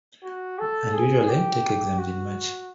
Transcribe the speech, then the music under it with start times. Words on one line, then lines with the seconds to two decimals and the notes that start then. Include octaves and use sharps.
And usually take exams in March.
0.24 F#4
0.59 A4
0.94 G#4
1.29 G4
1.98 F#4